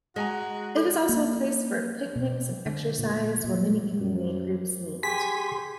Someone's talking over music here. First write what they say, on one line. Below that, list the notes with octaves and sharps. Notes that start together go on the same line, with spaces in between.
It is also a place for picnics and exercise, where many community groups meet.
G#3 F#4 D#5 G#5 A#5
A4
A#3
B2
D3
A#2
A#2
F#2
G4 G#4 G#5 C6 B6